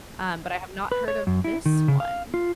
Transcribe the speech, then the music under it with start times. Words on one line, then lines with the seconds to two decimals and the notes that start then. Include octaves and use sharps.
um, but I have not heard of this one.
0.92 B4
1.08 C#5
1.27 F#2
1.44 E4
1.66 D#3
1.88 C#3
2.00 F5
2.34 F4